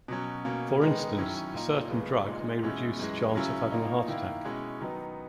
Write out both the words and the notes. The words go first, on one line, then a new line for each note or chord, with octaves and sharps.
For instance, a certain drug may reduce the chance of having a heart attack.
B2 F#3 C#4
B2 A#3 C#4
D#3 G#3 B3 D#4
F#2 D#3 F#3 C#4 E4
A#2 A#3 D#4
F#2 C#3 G#3 B3
A#2 G#3 D#4
E2 B2 G#3 C#4 E4
F#2 E3 G#3
C#3 F#3 C#4 E4
A#2 A#3 D#4
D#3 A#3 E4
B2 G#3 C#4 E4
D#3 F#3 B3 D#4